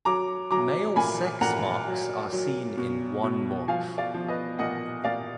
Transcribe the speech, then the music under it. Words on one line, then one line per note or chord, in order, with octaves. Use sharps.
Male sex-marks are seen in one morph.
F#3 A#5 D6
F#3 A#5 D6
A#2 G#5 B5
A#2 F#5 A#5
F#3
F#3
B2
B2
F3 F5 G#5
D5 F5
F3
B4 D#5
A#2 D#5 F#5
A#2 D5 F5